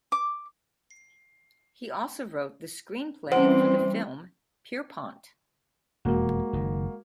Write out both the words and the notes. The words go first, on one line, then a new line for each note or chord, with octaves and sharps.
He also wrote the screenplay for the film "Pierrepoint".
D6
E3 G3 C4 C#4 C5 F#5
E1 F2 G#3 A#3 F#4
F#1 D#3